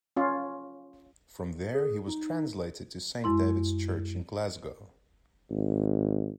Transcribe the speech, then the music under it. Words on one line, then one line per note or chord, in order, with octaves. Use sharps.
From there he was translated to Saint David's Church in Glasgow.
C#4 F4
G#4
D#4
F#2 G#3 E4 C6
G#1